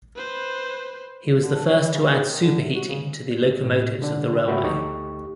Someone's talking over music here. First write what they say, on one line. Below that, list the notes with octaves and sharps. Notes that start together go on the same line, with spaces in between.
He was the first to add superheating to the locomotives of the railway.
B4 C5
D3
D4
C#5
E3
C#3
G#4
D#3
D3
C3
F#4
C#3
A2
B2 D3 D4
G#2 C#3 F#4 B4 E5 G5
D2 A3 D#4 G4 C#6